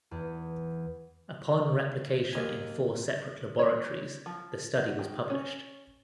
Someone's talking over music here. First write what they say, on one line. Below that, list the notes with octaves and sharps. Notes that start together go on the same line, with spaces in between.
Upon replication in four separate laboratories the study was published.
E2
D#2 G#5
C#5
F3
F#4
D#3
C#4